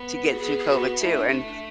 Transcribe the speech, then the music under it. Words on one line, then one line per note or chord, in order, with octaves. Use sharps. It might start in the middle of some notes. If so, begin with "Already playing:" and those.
to get through COVID, too, and
Already playing: B3
G#4
F#4
B3 G#4
G#4
B3 F#4
A3 E4
D4
D4
D4